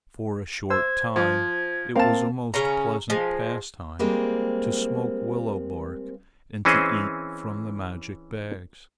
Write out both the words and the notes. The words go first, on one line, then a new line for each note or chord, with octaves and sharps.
For a short time it was a most pleasant pastime to smoke willow bark and to eat from the magic bags.
C5 E6 G#6
F3 G#6
A#3 C4 A#4 F5 A5
C#3 C#4 A#5
F3 G#3
G3 G#3 A#3 C4
E3 C4 C#4 G#4 C5 D#5